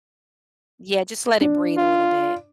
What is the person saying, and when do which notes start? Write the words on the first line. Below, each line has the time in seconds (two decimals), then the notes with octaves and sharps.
Yeah, just let it breathe a little bit.
1.41 D4
1.78 F4